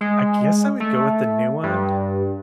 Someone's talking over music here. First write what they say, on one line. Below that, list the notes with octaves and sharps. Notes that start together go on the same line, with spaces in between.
I guess I would go with the new one.
G#3
A3
G2